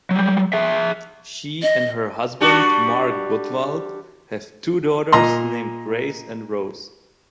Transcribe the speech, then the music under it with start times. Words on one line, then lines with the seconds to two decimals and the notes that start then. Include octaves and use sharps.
She and her husband, Mark Gottwald, have two daughters named Grace and Rose.
0.11 F#3 G3
0.53 G#4 E5
1.63 D#5
2.41 G3 D4 F#4
5.12 A#2 D#5 A#5 C6